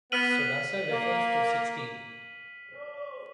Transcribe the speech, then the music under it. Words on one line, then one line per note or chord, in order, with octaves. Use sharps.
Sodasa refers to sixteen.
B3 F6 B6 D#7 F#7
A#3